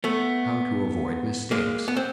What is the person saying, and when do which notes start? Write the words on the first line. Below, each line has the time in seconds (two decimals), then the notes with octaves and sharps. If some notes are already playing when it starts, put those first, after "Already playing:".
How to Avoid Mistakes.
0.04 A3 B3
1.51 G#3 A#3
1.88 B3
1.97 C4